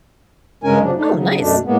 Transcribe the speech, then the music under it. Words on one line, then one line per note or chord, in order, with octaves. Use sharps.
Oh, nice.
G2 C#3 G#3 C#4 A#4 G#5
G2 C#3 F3 F#3 D4
A3 D4 D#4
C#3 F#3
F#2 B2 A3 D4
A2 G#3 A#3 B3